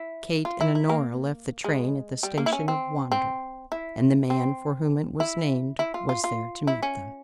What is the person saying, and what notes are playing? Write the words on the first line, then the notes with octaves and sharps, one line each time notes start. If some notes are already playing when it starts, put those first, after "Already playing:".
Kate and Honora left the train at the station of Wander, and the man for whom it was named was there to meet them.
Already playing: E4
F4
E4
E4
A#3
G#3
G3
A#3
E4
C#4
C4
C4
E4
C4
E4
E4
F4
F4
F4
E4
C#4